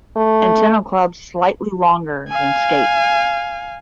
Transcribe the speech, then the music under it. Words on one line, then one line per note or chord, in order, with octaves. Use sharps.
Antennal club slightly longer than scape.
A3
F5 G#5